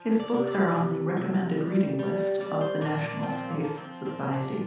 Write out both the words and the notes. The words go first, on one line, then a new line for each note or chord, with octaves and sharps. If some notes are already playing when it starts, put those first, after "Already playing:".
His books are on the recommended reading list of the National Space Society.
Already playing: F3
D5
C3
D5
C3
C3
G3
G3
G3 D5
C5
A#2 D4
D4
F3 C4
A#3
F3
C4
A#2 C4
D4
F3